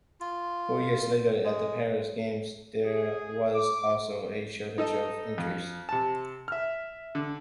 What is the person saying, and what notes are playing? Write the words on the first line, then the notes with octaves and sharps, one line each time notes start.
Four years later, at the Paris Games, there was also a shortage of entries.
F4
G#3
G#4
D6
D#4 A4 D#5
F2
C3 A5
E5 F6
D3